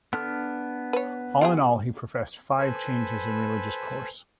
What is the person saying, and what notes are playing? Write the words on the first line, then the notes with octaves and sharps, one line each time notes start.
All in all, he professed five changes in religious course.
D3 B3 D4 F6
B4 C#5
F4 G4 G#4
A4 B4 C5 G#5 B5